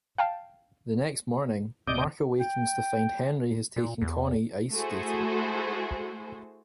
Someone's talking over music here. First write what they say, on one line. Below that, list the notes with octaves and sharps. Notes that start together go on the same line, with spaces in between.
The next morning, Mark awakens to find Henry has taken Connie ice skating.
F5 G5 A5
D1 C3 D5 D#5 G6
G5
A#2
E2
A3 E4 F#4 G#4 A4 C5